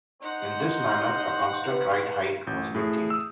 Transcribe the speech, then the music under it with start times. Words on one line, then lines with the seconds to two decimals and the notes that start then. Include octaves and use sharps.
In this manner, a constant ride height was maintained.
0.22 D#4 C5 F#5
1.70 B4
2.47 A1 G6
2.75 A2 G#4
3.10 D#6 E6